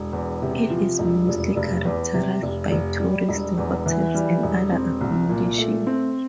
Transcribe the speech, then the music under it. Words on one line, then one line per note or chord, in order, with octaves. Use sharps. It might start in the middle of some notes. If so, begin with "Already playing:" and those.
It is mostly characterised by tourist hotels and other accommodation.
Already playing: E1
E2
C3
F3
E1
F1
F1
E2
C3
F1
F1
G3
E1
E2
E3
G3
E1
C4
C2
A#2
A3
C4